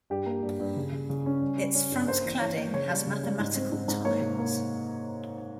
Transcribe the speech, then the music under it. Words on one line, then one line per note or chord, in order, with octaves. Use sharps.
Its front cladding has mathematical tiles.
G2 G4
A#3
G2
G2
C#3
C#3
C#3
C#4
G3
G3
C#4
G2
A#3 C5
E3
E3 C#5
A#3
C#3 C#5
G3
C#3
G3
G#2
C4
G#2
G#2
A#3 C#5
C3
A#3